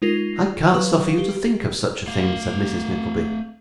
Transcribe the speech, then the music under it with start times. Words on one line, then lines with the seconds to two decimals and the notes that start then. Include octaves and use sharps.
'I can't suffer you to think of such a thing,' said Mrs Nickleby.
0.02 G#3 D#4 F4 A#4 A#6 C7
0.73 F#3 B4 F5 C#6 D#6
1.18 G4
2.07 A3 F5